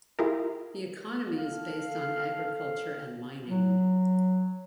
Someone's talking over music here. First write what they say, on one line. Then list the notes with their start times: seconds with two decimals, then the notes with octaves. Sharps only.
The economy is based on agriculture and mining.
0.19 E4 F4 G4 G#4 A#4
1.35 A4 F5
3.48 F#3